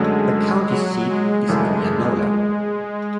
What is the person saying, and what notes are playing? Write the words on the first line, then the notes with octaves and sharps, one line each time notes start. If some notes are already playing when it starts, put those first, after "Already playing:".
The county seat is Indianola.
Already playing: F#2 D3 F#3 G#3 A3 C#4
F#3
G#3
G#1 F#2 C#3 E3 A3